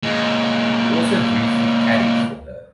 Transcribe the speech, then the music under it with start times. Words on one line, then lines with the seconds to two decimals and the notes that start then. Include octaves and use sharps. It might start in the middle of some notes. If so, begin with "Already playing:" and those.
He also briefly caddied for her.
0.03 A#2 G#3